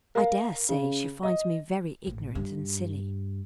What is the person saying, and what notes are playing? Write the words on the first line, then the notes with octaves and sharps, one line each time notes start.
I dare say she finds me very ignorant and silly.
A#4 F5
C#3
D#5
A1
G2